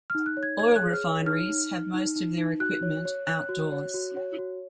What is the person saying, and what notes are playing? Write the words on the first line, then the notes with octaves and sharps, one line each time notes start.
Oil refineries have most of their equipment outdoors.
D#4 F6
F#6
C#5
G#6
C#5 G#6
G#6
F#6
G#4
F6
C#5
D#4 F6
D#4
D#4
D#4
D#4
D#4
F#4 F#6
C#5
C#5
C#5 F#6
F#4
C#5
F#4
C#5
F#4